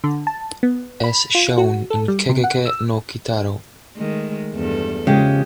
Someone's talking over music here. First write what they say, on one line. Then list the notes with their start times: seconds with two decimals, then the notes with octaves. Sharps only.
As shown in Gegege no Kitaro.
0.04 D3
0.27 A5
0.63 B3
1.04 B5
1.35 F4
1.58 F#4
1.90 A4
2.08 G3
2.29 C3
2.44 F#5
2.65 E6
3.95 D#3 G#3 A3
4.54 E2 G2 A4
5.07 C#3 F3 G#3 G4